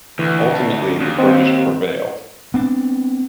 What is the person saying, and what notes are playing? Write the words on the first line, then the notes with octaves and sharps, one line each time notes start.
Ultimately, the British prevailed.
D2 E3
A5
D#2 D4
C4 D#5 F#5
B3 C4 D4